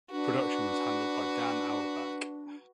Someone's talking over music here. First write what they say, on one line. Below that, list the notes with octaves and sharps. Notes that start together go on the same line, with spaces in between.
Production was handled by Dan Auerbach.
D4 F#4 B4